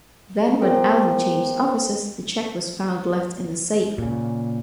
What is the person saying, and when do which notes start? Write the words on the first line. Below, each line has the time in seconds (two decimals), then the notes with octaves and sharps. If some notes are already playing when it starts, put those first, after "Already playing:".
Then when Allen changed offices, the check was found left in the safe.
0.61 B3 G#4 A#4 C5 G5
3.98 A#2 C#3